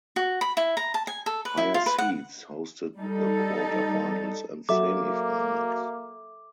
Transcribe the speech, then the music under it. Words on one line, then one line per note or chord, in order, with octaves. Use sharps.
Higher seeds hosted the quarterfinals and semifinals.
F#4
B5
E4
A#5
A5
G#5
A4
B4
E4
F4
B4
F#5
G3 D#4 A4
F#3 A#3 A4 E5 D6